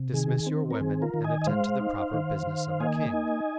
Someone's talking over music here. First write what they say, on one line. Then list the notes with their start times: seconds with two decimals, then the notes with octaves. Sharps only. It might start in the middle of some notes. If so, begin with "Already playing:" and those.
"Dismiss your women and attend to the proper business of a king."
Already playing: C3
0.13 D#3 G#4
0.47 C4
0.71 A#4
0.81 D#3 G#4
1.02 F4 A#4
1.14 D#3
1.24 D#5 G#5
1.42 D#5
1.47 G#3 C5 F5
1.81 D#4
2.14 D#3
2.47 D#3
2.80 A#3 D#5 G#5
3.13 D#4